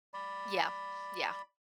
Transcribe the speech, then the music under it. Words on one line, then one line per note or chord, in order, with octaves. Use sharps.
Yeah, yeah.
D5 B5